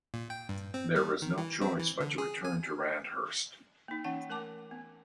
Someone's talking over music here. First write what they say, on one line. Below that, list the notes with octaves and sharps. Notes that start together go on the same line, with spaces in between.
There was no choice but to return to Randhurst.
A#2
G5
G2
C4
G3
D#3
E3
C4
E3
D3
G#4
G#5
A#3 D#4
E3 C#4 F#5 G5
A3 A#4 G#5 A5 D6
B3